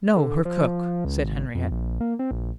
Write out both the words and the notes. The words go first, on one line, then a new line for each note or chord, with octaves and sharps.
"No--her cook," said Henriette.
D3
F3
C#2
G#1
F2
A#1
A#3
C4
A#1